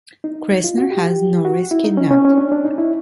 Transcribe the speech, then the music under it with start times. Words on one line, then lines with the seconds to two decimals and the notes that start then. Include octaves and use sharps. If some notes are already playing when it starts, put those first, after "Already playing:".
Cressner has Norris kidnapped.
0.24 D#4
0.64 F4
0.78 F#4
0.91 G4
1.04 G4
1.45 F#4
1.71 E4
1.84 D#4
1.97 C#4
2.11 C#4
2.25 C#4
2.38 D4
2.52 D4
2.65 D#4
2.78 E4